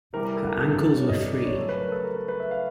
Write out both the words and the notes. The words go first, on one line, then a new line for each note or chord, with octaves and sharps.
Her ankles were free.
C3 E3 G3 A#4
A#4
A4
A#4
A4
A4
A4
C#5
D#5
D5
D5
C#5
C#3 F#3 A3 C#5
B4
A#4
A4
A#4
B4
B4
E5
F5